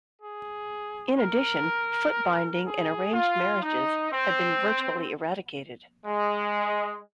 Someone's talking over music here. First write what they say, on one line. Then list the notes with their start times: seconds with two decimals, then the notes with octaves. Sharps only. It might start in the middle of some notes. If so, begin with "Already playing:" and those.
In addition, foot binding and arranged marriages have been virtually eradicated.
0.21 G#4
1.18 A#4
2.65 G#4
3.14 F4
3.62 D#4
4.11 C4
6.06 G#3